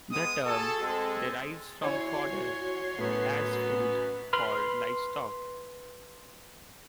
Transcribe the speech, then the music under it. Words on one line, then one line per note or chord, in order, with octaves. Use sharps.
The term derives from fodder, as food for livestock.
G#3 B3 D#6
F#4 G#4 A4
G#3 C4 A4
E4 F#4 C#5 D5 G#5 C6 C7
F#2 A2 A3 B3
B4 B5 C6 F6